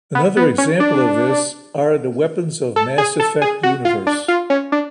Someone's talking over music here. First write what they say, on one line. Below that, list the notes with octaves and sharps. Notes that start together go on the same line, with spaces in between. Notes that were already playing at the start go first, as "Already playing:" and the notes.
Another example of this are the weapons of the Mass Effect universe.
B3
B3
C#4
D4
A4
G#4
A4
G#4
F#4
F4
D4
F4
C#4
D4